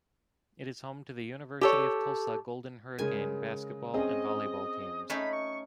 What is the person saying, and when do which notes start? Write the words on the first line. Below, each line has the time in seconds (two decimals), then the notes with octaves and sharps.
It is home to the University of Tulsa Golden Hurricane basketball and volleyball teams.
1.61 G4 A4 C#5
2.98 C#3 G#3 A#4 G#5
3.94 C4 C#4 G#4 D#5
5.10 A3 C#4 D#4 B5
5.33 C#6